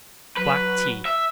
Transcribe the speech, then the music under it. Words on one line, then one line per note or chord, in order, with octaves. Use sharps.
Black Tea.
F#3 B4
E5